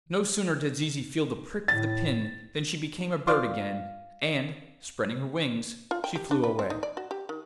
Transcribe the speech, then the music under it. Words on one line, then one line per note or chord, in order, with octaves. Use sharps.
No sooner did Zizi feel the prick of the pin than she became a bird again, and, spreading her wings, she flew away.
A2 A6
F4 C5 D5 F5
F4
G5
G4
D4
B4
C4
D#4
D5
F#4
G4
D#3